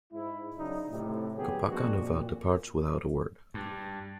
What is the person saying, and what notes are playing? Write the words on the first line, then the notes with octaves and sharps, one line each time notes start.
Kopaka Nuva departs without a word.
G#2 E4
C#3 F#3 D4 D#4
A2 C3
D3 F#3 B3 G4 G#4
F3 G#3 A#3 C4 D4 F#4
A#2
G2